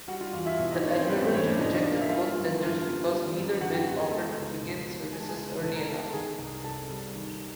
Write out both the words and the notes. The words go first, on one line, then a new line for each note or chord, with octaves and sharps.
The Admiralty rejected both tenders because neither bid offered to begin services early enough.
G3 F#4 F#5
F4 F5
E2 F4 F5
E4 E5
B2
D#4 D#5
A#3 C#4 C#5
C4 C5
G3 B3 B4
C4 C5
E2 C#4 C#5
D4 D5
B2 D#4 D#5
D4 D5
A#3
F5
E5
G3 F4 F5
F#2
D3 F4 F5
B3
G3
F#2
D3 F#4 F#5
G4 G5
B3 F#4 F#5
G#4 G#5
G#3 A4 A5
C#2
B2
B3
G#3 G#5
A5
G#4 G#5
C#2
B2 A4 A5
A#4 A#5
B3 A4 A5
A4 A5
D#3 G#4 G#5
C2
C3 A4 A5
G3
D#3